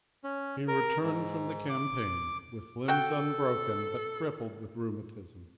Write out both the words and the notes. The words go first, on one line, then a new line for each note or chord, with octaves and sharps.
He returned from the campaign with limbs unbroken but crippled with rheumatism.
C#4
A#4
G#2
D6
F#4 A4 G5